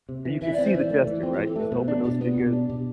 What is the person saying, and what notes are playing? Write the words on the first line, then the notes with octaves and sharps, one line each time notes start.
But you can see the gesture, right? Just open those fingers.
C3
E3
E3 E5
C4 D5
C5
E3 D5
A3
E3
C4 F4
G4
E3
A4
A3 B4
B2 C5
D4
B2 G4
B3 F4
B2 G4
D4
B2